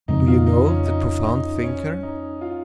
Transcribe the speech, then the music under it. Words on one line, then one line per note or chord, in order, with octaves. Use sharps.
Do you know that profound thinker?
F2 C#3 G#3 C4 D#4
F4
D#4
C#4
D#4
D#4
C#4
D#4
F4